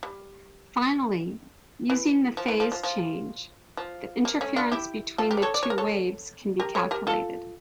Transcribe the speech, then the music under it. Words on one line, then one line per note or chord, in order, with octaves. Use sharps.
Finally, using the phase change, the interference between the two waves can be calculated.
G3
E3
F3
E3
F3
F3
F3
F3
A#3
A3 C#4
D4 F4
E4 G4
F4 A4
G4 A#4
D5
A4 C#5
D5
C#5
A#4
A4 C#5
G4 A#4
A4 C#5
G4 A#4
F4 A4